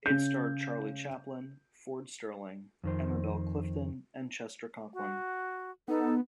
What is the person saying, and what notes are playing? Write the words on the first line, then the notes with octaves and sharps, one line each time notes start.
It starred Charlie Chaplin, Ford Sterling, Emma Bell Clifton, and Chester Conklin.
C#3 G6
F2 D#3 C5
F#4
B3 D#4 A4